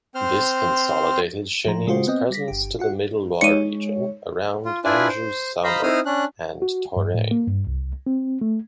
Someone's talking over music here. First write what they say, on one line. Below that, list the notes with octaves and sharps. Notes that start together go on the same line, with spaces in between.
This consolidated Chenin's presence to the Middle Loire region around Anjou-Saumur and Touraine.
C4 C5 C6 F6
A2 F3 A#5
C#3 G#3 F4 F#4 C5
B3 C4 D#5
G3 A#6 B6
G1 G4
F4 F#4 F#5
G#3 D#4 C#5 C#7 D#7
F4
D4 E4 F4 B4 D5 G#5
C5
C5 D#5 F5 A#5 B5
C4 D#4 E4 C5 D#6 F6
C#4 D4 F#6
F#4
G2
A2
A#3
G2
C2
C4
A3